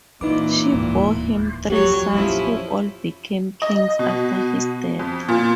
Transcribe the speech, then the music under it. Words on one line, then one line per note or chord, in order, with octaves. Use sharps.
She bore him three sons who all became kings after his death.
A#2 E3 C4 D#4 B4 D6
D1 D#2 G#2
F2 F#3 G4 C#5
A#1 F2 F3 C#4 E4
D#5
B2
F2
A#2